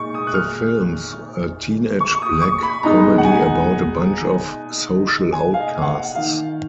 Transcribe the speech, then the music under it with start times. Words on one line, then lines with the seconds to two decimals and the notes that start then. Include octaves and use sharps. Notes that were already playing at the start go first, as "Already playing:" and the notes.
The film's a teenage black comedy about a bunch of social outcasts.
Already playing: A#2 G#3 D#4 C#6
0.14 D#6
0.27 F#6
0.34 F6
2.00 C#6
2.15 C#6
2.22 D#6
2.42 C#6
2.63 B5
2.83 B2 G#3 D#4 A#5
3.18 F#5
3.25 G#5
5.32 G#5
5.54 F5
5.60 D#5
5.82 F#5
5.88 F5
6.15 D#3 F5